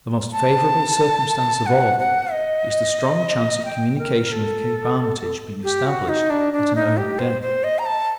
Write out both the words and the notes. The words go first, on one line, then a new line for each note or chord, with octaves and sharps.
The most favourable circumstance of all is the stronge chance of communication with Cape Armitage being established at an early date.
A5
F#5
F#5
D#5
G5
A#4
A4
G4
F#4
D#4
D4
D4
D#4
G4
C5
C5
D#5
A#5
A5